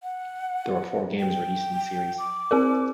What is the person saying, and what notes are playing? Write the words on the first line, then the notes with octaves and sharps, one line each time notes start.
There were four games released in the series.
F#5
G5
D6
C4 G#4 A#4